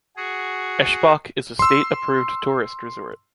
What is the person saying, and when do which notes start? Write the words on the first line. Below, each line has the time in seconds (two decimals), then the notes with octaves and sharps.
Eschbach is a state-approved tourist resort.
0.16 F#4 G#4
1.59 C6 E6